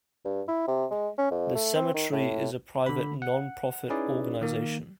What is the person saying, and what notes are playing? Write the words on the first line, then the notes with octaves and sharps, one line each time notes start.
The cemetery is a private non-profit organization.
G2
E4
C3
G#3
C#4
F2
A3
C4
D#3
A2
D3 B5
F#5
C#4 D#4 E4 G#4 B4 D5
D#3 A#3